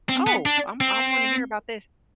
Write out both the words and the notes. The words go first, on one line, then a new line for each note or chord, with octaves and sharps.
Oh! I'm I wanna hear about this.
C4
B3
D4
C4